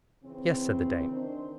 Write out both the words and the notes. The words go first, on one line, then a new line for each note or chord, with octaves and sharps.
"Yes," said the dame.
C#3 E3 C4
D#3 D4 C5